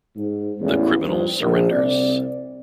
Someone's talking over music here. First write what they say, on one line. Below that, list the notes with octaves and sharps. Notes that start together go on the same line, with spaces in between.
The criminal surrenders.
G#2
A1 E2
G2 F3 F4
A#1
C2 C4 D5